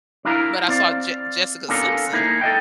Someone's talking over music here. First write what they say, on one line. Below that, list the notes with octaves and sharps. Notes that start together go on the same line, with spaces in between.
but I saw Jes Jessica Simpson
D4 E4 F4 A#4 F5 A#5
C4 D5 F5
B3 C#4 D4 F4 A4 A#4
A#3 D#4 E4 G#4 A#4
A4 D#5 G5